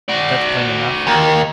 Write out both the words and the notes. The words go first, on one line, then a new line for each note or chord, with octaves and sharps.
"That's plain enough."
F#4 D5
D#2